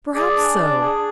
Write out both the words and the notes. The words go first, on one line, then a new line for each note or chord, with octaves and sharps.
'Perhaps so.
G#4 D5
D4
D4
G#4